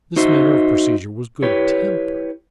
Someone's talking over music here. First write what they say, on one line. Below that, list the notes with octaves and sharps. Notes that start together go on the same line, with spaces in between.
This manner of procedure was good-tempered.
D#4 F#4 C5 D#5 E5
E4 G4 B4 C#5